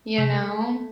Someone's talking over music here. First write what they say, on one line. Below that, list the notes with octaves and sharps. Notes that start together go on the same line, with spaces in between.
You know?
C3 A3